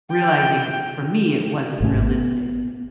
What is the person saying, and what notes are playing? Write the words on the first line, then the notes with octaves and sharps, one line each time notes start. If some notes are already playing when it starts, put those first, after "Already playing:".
realizing, for me, it wasn't realistic,
G5
G#1 B2 A3 C#4
B3